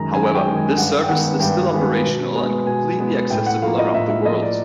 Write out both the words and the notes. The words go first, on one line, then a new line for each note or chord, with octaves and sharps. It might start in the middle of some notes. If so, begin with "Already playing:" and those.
However, the service is still operational and completely accessible around the world.
Already playing: F#2 D#3 G#3 A#5
F#2 G#5
G5
D#3 G#3
G#5
G2 F#5
G5
D#3 G#3 B3 F#5
G2 G5
D#3 G#3 B3
B2
G#3 B3
B2 G#5
G#3 B3
A2 G5
F#5
F3 F5
A#3
D#5
A2 E5
E5
F3 A#3 D#5
D5